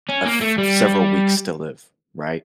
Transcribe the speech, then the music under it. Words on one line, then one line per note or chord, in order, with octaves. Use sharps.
a th several weeks still live, right?
C#4
A#3
A3
G3